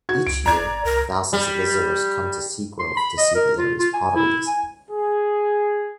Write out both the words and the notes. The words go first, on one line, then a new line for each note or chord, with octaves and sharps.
Each year, thousands of visitors come to Seagrove to see the area's potteries.
F#4 G#6
C#2 D7
D#2 D5 A#5 G#6
G#1
C2 A#4
G3
C6
B5
D#5
A#4
F4
F4
G#5
E4
G#5
G#4